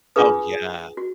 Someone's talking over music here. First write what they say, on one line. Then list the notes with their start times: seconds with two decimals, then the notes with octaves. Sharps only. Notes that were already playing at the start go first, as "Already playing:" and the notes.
Oh, yeah.
0.16 D4 F4 G#4 B4 D#6
0.97 F#4